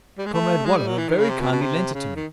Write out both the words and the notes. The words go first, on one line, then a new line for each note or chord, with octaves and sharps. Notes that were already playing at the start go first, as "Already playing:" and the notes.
'Comrade Waller very kindly lent it to me.
G3
G#3
A3
G#3
G3
F#3
E3
D#3
C#3
C3
B2
B2
C3
C#3
D#3